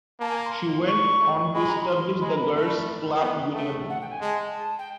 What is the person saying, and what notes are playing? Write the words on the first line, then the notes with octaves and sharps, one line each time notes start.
She went on to establish the Girls Club Union.
A#3 A5
G#5
A#5
C6
C#6
A3
G#3 B5
A#5
B5
C6
G#3 B5
A#5
B5
A3
B3
A3
F#5
G5
G#5
G#3 A5
G5